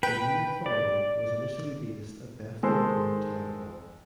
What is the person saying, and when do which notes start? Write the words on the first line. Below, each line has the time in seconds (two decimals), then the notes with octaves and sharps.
The new authority was initially based at Bethnal Green Town Hall.
0.03 B4 G5
0.66 D5
2.63 D#3 G#3 A4 C5